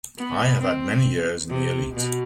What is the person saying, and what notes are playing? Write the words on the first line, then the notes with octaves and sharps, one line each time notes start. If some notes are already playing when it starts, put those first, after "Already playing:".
I have had many years in the elite.
B3
C4
C3
B2